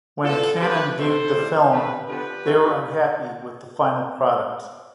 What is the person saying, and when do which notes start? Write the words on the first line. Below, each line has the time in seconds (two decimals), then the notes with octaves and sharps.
When Cannon viewed the film they were unhappy with the final product.
0.23 A2 F3 B3 F4 A4
0.60 D3 F3 C4 G4 B4
0.97 B2 A3 C4 A4 C5
1.34 A2 G3 C4
1.71 D3 A3 C4 G4 B4
2.08 D3 F3 B3 G4 B4
2.45 A2 F3 A3 C4